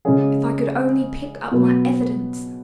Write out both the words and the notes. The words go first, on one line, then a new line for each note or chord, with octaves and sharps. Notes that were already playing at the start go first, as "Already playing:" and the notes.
If I could only pick up my evidence!
C#3 G#3 C#4 G#4
B2 F#3 B3